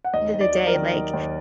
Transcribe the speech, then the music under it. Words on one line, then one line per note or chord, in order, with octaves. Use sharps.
of the day, like,
F#5
D#2 D#5
D#2
D5
F#3
A#4
D#3
D#2
D#2